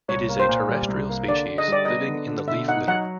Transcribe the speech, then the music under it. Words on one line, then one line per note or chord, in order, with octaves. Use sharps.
It is a terrestrial species living in the leaf litter.
C2 C#5
A#3
C5
A#2
G3
C2
A#3
D3 D5
D3
D#5
G3 D5
B3 D#5
D3
D3
B2 E5
D#4 F#5
F#3 F#5